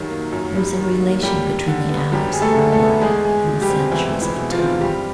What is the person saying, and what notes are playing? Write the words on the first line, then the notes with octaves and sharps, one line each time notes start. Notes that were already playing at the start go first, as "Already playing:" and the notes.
There is a relation between the hours of our life and the centuries of time.
Already playing: F#2 D#3 F#3 G3 F#4
A#3
F#2
G3
D#3
A#3
F#2 G3 G4
G3
D3
B3
F#2 G3 G4
G3 G#4
A3 A4
D3
A3 A4
B3
E2 G#3 G#4
G#3
B2
G3 G4
C4
E2 E3 E4
G#3
E3 E4
B2
F3 F4
C4
G2 G3 G4